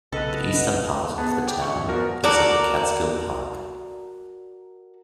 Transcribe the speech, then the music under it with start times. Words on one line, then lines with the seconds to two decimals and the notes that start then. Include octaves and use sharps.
The eastern part of the town is in the Catskill Park.
0.12 B1 C#3 A4 B4 D#5 F#5
1.18 B3 G#4 B4 F#5 A5
1.46 G5 D6
1.62 A1 C#6
1.88 F3 B3 F#4 A#4 D5
2.24 F#4 A4 A#4 D5